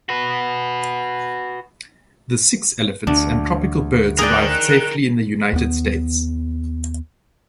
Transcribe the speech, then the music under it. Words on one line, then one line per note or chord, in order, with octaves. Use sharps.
The six Elephants and tropical birds arrived safely in the United States.
F#4 B4
D2 D4
G#4 A#4 D5 G5 F#6
D#2 B3